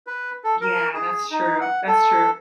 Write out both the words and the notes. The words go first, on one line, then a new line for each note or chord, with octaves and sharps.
Yeah, that's true, that's true.
B4
A4
A#4
G#4
D#4
F#5
A4